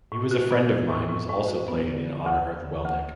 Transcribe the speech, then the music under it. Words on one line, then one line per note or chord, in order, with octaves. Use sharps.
"He Was a Friend of Mine" was also played in honor of Welnick.
A2
F#4
B3
B3
A2
A2
A2
F#4
B3
D3
D3
D2
D2
D3
D2